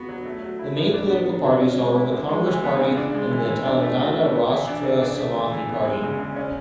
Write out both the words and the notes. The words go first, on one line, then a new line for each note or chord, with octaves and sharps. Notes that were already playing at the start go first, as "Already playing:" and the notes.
The main political parties are the Congress Party and the Telangana Rastra Samathi Party.
Already playing: B3 F#4
F#3
A3
F#3
E4
A2
D4
B3
F#3
F#3
C#4
G#3
E4
D3
G#3
E3
B3
C#3
D4
G#3
E3
E3
D4
A3
F#4
B2
B3
E3
D4
C#3
D4
A3
E3
E3
B3
G#3
C#3
C#3
C#4